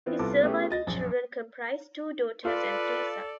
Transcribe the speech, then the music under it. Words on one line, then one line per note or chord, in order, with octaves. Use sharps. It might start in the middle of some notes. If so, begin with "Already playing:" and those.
His surviving children comprise two daughters and three sons.
E3 B3 C4 F4
C2 C3 B3 F4 A4 D6
A3 B3 C#4 G4 G#4
D#5 A6 A#6
A#1 F#2
F4 A4 B4 D5